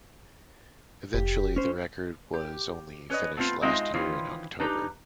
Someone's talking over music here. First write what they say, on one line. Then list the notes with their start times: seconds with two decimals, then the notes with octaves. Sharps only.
Eventually the record was only finished last year in October.
1.14 F1 G4
1.56 C#4 C5
2.33 G4
3.10 C#4 B4 C#5 D#5
3.37 A3 B3 C4 F4
3.62 G#3 C4 D#4 F4 D#5 E5
3.94 D#3 E3 C#4 F4 C5
4.60 D4 D#4 G4 B4 A#5